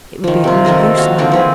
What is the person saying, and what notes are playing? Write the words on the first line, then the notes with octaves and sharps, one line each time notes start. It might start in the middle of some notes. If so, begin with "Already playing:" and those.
It would be of no use now.
D#3 F3
C3 F4
D#3 A4 A#4 D#5
A#3 F#4 F5
D3 F3 C4 F4
E3 C4 G#4